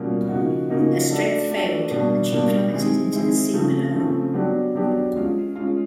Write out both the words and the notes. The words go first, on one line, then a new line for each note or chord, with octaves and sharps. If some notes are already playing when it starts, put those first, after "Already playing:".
Her strength failed, and she plummeted into the sea below.
Already playing: B2 G3 A#3 C#4 F4
C#3 F3 A#3 D#4 F#4
C#3 F3 A#3 D#4 F#4
A3 D4 F#4 A4
A3 D4 F#4 A4
B2 G3 A#3 D4
B2 G3 A#3 D4
D#3 G#3 C4 E4 G#4
D#3 G#3 C4 E4 G#4
C#3 F3 A3 C4
C#3 F3 A3 C4
F#3 B3 D4 G4
F#3 B3 D4 G4
G#3 C#4 F4
G#3 C#4 F4